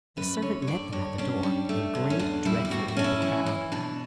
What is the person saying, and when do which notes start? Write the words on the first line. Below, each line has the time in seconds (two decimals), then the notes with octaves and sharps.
The servant met them at the door, and grinned dreadfully at the crowd.
0.17 F#2 B4
0.42 D3 C#5
0.62 C#5
0.67 G2 D5
0.92 G2 C#5
1.18 C#4 D4
1.43 G3
1.69 A3
1.95 D3
2.10 C#4
2.19 E2 D4
2.45 G3 E4
2.65 E4
2.71 A2 F#4
2.88 F#4
2.97 C#4 D4
3.04 E4
3.22 E3
3.46 E3
3.72 B2 D4